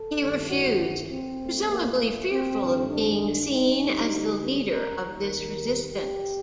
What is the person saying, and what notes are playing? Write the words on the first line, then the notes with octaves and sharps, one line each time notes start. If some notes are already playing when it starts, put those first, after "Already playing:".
He refused, presumably fearful of being seen as the leader of this resistance.
Already playing: A4
G2 D#3 A3
F#4
C4
A#1 A#2 A3
A#3
C4
G2 D#3 A3
D4
D#4
D2 D3 G3
A#4
D#2 D#3 G3
A#4
G4